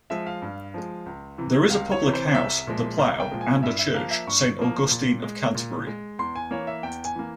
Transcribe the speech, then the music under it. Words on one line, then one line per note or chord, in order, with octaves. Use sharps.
There is a Public House, "The Plough" and a Church, "Saint Augustine of Canterbury".
F3 G#3 E5
F5
G2
F3 G#3
C#2
C3 E3
C#2 F5
C#5
C3 E3
C5
C2 E5
A#2 F3 G#3
C2 F5
G5
A#2 F3 G#3
G#5
G2 E5
E5
F3 A#3 F5
E5
G2 C#6
F3 A#3
A#2
G#3
A#2
G#3
E2 C6
G#5
E3 A#3 C#5
E5
E2 G5
G#5
E3 A#3